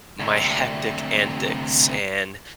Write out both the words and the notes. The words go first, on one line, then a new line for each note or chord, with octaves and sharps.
my hectic antics and
D2 C3